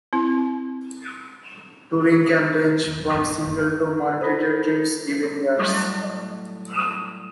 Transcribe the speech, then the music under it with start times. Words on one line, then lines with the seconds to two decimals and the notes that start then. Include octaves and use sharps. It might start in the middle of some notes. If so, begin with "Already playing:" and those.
Touring can range from single-to multi-day trips, even years.
0.13 C4 E4
2.84 D#2
2.98 F2
3.14 G2
3.29 C#2 G3
3.44 F#1 D3
4.21 E4 F4 A4 C5
5.56 A2 F#3 G3